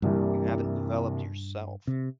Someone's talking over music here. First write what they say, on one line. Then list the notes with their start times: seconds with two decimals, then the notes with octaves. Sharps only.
you haven't developed yourself.
0.02 C2 G2 C3 E3 G3 A#3
1.87 C3